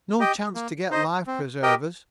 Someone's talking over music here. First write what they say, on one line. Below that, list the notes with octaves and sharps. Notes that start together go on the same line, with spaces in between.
No chance to get life-preservers.
G4 D#5 G5
A#3
D#4 C5 D#5
C4
G4 A#4 D#5 G5